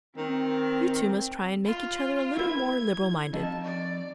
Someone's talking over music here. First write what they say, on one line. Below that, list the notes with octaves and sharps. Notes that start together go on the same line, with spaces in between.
You two must try and make each other a little more liberal-minded.'
D#3 C4
F4
E4 B4 E5 G#6
F2 D#4 A5
D5